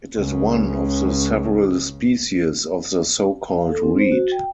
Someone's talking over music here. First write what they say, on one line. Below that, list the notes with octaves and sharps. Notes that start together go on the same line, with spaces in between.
It is one of the several species of the so-called reed.
C#2 C#3
F5
A4
C4
C5
F#4
G5